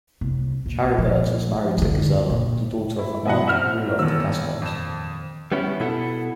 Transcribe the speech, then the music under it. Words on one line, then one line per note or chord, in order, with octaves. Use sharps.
Charibert was married to Gisela, the daughter of Amand, Ruler of the Gascons.
C2
A#1
A#2 F3
F2 D3
A#2
E4
B2 E3 B3 E4 D#5 F#5
G#2 C4 E5 F6
D#1 E2 A#2 D#3 E6
F2 E7
G3 B3 C#4 E4
B2 E4 A4 F#5